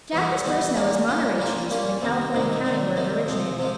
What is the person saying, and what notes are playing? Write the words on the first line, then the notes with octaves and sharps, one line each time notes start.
Jack was first known as Monterey cheese from the California county where it originated.
E3 G3 B3
E3 G3 B3
G3 A#3 C#4 F4
G3 A#3 C#4 F4
G3 A#3 C#4 F4
G3 A#3 C#4 F4
C3 D#3 G3
C3 D#3 G3
C3 D#3 G3
C3 D#3 G3
C3 F3 G#3
C3 F3 G#3